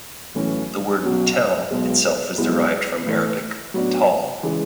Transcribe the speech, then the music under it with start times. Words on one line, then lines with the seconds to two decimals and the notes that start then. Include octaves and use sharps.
The word "tell" itself is derived from Arabic "tall".
0.35 B1 A2 E3 A3 C#4
1.03 B1 B2 F#3 C#4
1.71 B1 B2 G#3
2.38 B1 B2 G#3 B3 E4
3.06 A2 E3 A3
3.74 A2 F#3 B3 D4
4.43 C#3 E3 G#3